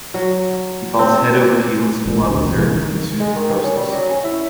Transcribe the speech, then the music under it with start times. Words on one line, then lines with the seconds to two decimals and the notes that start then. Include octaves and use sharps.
He falls head over heels in love with her and soon proposes.
0.14 F#3
0.99 C4
2.06 A1 A#2
2.28 D2 C3
2.44 A1 F#2
2.57 C3 E3 G#3 A#3
2.76 D#3
3.20 G#3
3.36 D#3
3.64 C#4
3.76 G3
3.92 F#3
4.09 C#4
4.24 E4